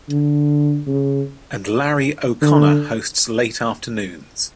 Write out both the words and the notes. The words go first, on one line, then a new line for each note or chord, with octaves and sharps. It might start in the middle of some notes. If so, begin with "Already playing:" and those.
And Larry O'Connor hosts late afternoons.
D3
C#3
D3